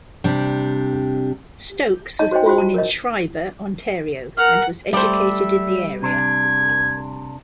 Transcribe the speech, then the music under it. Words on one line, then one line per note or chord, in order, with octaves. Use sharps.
Stokes was born in Schreiber, Ontario and was educated in the area.
C3 G3 D4
D#4 C#5 D#5 A5
F#4 C5 C#5 D#5 G5
F4 F#4 C5 G5
F#4 A5
A#4 C#5 D#5
A#4 F#5 F6
G3 A3 C5 D5 E5
C3 D4 G#6